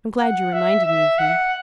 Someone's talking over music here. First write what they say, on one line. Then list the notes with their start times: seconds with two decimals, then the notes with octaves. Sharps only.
I'm glad you reminded me of him.
0.20 F#5
0.53 E5
0.85 E5
1.19 F#5